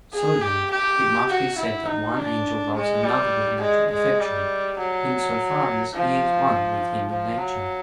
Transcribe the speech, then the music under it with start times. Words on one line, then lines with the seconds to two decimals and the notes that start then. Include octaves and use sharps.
So then, it must be said that one angel loves another with natural affection, in so far as he is one with him in nature.
0.13 G#4
0.41 G4
0.71 G4
1.29 F#4
1.58 E4
1.88 D#4
2.16 D4
2.74 G#3
3.03 G3
3.61 G#3
3.91 G#3
4.20 G3
4.78 F#3
5.93 F3
7.10 F3
7.39 F#3